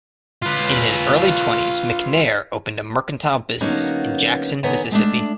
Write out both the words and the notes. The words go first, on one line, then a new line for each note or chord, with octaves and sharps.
In his early twenties McNair opened a mercantile business in Jackson, Mississippi.
F4 B4
D3 F#3 A#3 B3 C#4 D#4
D3 D#3 B3 C#5 G#5 A#5
G#3 A3 D4